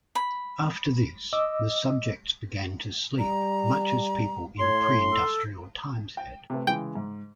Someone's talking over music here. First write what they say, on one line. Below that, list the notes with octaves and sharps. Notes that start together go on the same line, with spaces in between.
After this the subjects began to sleep much as people in pre-industrial times had.
B5
D#5 D6 E6
G3 A#5
A2 C#5 C6
A4
G5
C3 A3 B4
C#3 E3 G#3 G5
G#2